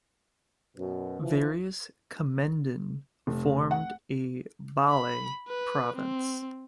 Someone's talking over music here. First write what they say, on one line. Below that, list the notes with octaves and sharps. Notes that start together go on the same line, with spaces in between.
Various "Kommenden" formed a "Ballei" province.
F#2 B2
E3 F3
F1
F#5
B5
B4
C4